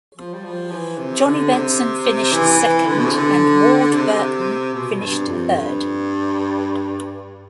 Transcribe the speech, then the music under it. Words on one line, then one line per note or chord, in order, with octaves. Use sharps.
Johnny Benson finished second and Ward Burton finished third.
F3
G3
F3
E3
C3
D3
C3
E3
E3
D3
B2
C3
D3
C3
B2
G2
F2
G2